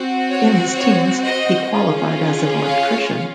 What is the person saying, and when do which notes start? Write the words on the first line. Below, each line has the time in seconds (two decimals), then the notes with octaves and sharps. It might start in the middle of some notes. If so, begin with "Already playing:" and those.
In his teens, he qualified as an electrician.
Already playing: C4 F#4
0.30 C#5
0.76 C#5
1.23 C5 D#5
1.69 C#4 F4 G#4
2.63 C#5 F5